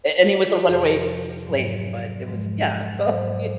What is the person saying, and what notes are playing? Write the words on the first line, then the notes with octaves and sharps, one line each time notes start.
A and he was a runaway slave, but it was yeah, so y
F4
F#4
F2 C3 F3 G#4
G#2 F#3
G#2 F3 G#3
G#2 F#3 C5